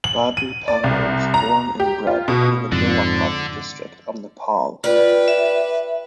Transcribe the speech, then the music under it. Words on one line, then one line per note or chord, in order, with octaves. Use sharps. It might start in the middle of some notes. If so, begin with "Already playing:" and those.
Badri Pandey was born and bred in the Nuwakot District of Nepal.
F#7
D#7
D5
C2
A#5
G4
F4
B2
F2 G#2 D3
F4 G4 B4 D5
E5